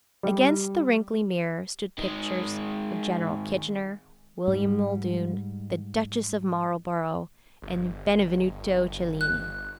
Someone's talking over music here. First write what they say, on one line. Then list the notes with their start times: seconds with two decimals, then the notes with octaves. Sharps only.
Against the wrinkly mirror stood pictures of General Kitchener, William Muldoon, the Duchess of Marlborough, and Benvenuto Cellini.
0.23 G3
1.98 D#3 G#3
4.48 G#2 G3
7.62 G1
9.21 F#6